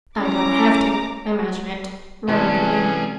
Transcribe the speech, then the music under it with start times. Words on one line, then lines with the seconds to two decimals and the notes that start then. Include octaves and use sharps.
"I don't have to--imagine it," murmured the man.
0.19 C#4 E4 A#5 D6
2.29 C3 E3 F#3 G3 B3 C#4 G#4 A4